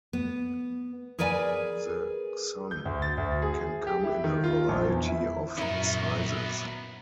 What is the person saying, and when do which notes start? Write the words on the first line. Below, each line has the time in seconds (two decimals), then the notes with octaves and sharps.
The xun can come in a variety of sizes.
0.13 B3
1.19 G#4 A#4 B4 D5 G5 G#5
2.71 G6
2.85 D2
3.02 A6
3.18 D2
3.42 G#4
3.87 G4
4.03 E4
4.24 D#3
4.44 F4
4.69 A#1
4.87 E2
5.06 E4
5.58 F#2 A#2 B3 D#4 E4 A#4